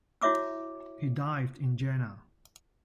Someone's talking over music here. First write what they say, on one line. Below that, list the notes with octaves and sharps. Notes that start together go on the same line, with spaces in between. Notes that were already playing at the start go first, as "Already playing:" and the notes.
He died in Jena.
E4 F#4 C#5 E5 D6 E6